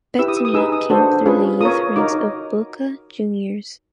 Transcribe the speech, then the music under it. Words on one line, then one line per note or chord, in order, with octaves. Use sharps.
Bettini came through the youth ranks of Boca Juniors.
E4 G4 B4 E6
D#6
E6
D#6
D#4 G#4 B4 E6
D#6
D4 F#4 A4 C5
C#4 F4 G#4 B4
F4 A#4 C#5 D#6
D#4 F#4 A#4 C#5 D6